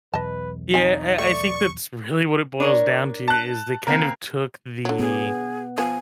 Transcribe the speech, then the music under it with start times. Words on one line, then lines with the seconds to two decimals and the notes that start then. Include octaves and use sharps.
Yeah. I I think that's really what it boils down to is they kind of took the
0.14 B1 E2 B4 D#5 A5
0.74 C4 D#4 G#5
1.18 A3 D5 C#6
2.60 D4 A#4 C#5
3.28 A5 F#6
3.87 C#3 A#3 C4 A#4
4.85 D3 F#3
4.99 B3 G#4
5.78 F3 B3 G#5